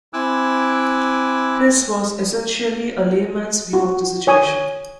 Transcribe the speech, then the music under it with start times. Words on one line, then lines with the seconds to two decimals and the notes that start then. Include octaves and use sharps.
His was essentially a layman's view of the situation.
0.13 C4 E4 G#5 D6 E6 F#6
3.73 F#4
4.27 C#5 G#5 D#6